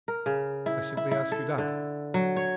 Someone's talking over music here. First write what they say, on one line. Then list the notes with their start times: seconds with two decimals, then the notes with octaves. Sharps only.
I simply ask you that.
0.08 A#4
0.26 C#3
0.66 E4
0.97 E4
1.11 E4
1.32 A4
1.58 D3
2.14 F#3
2.37 C#5